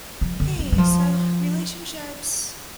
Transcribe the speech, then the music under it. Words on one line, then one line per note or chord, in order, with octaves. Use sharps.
Hey, uh, so relationships
F3
D3
F#3
F#3
F3